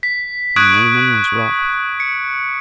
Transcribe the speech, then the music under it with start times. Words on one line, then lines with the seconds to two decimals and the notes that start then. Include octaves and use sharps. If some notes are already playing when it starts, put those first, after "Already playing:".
And Naaman was wroth....
0.03 B6
0.56 C#6 D#6 F#6 G#6 D7
2.00 C#7